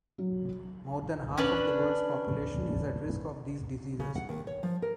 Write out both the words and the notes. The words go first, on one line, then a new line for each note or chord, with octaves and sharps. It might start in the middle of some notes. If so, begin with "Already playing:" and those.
More than half of the world's population is at risk of these diseases.
F#3
C#4 D4 B4
C#3
F#5
D#2
C#5
F3
A#4